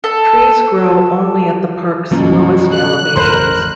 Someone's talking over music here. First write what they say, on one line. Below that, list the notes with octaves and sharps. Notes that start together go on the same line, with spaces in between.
Trees grow only at the park's lowest elevations.
A4
F#2 B2 E3 F3 G3 C#4
F#6
A1 F2 A#4 C5 B5 C6